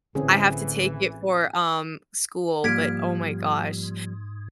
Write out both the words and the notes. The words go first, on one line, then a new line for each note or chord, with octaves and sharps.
I have to take it for, um, school, but, oh my gosh,
A1 D3 E3 C4 C#4 G#4
G#2 F3 G3 A#3 F6 G#6 B6 D7